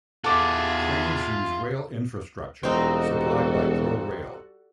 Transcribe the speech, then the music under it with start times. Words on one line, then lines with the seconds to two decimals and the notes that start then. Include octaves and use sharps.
Trains use rail infrastructure supplied by ProRail.
0.24 E2 F4 G#4 A4 E5 F#5 D6
2.63 E1 G3 C4 D#4 F4 F#4 A4